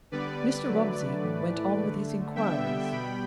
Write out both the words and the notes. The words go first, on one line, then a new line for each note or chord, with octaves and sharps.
Mr. Romsey went on with his inquiries.
D3 G3 B3 B4 D5
D3 F#3 A3
A2 E3 A3
D3 A3
D3 G3 B3 E5 G5
B2 G3 B3 G5 B5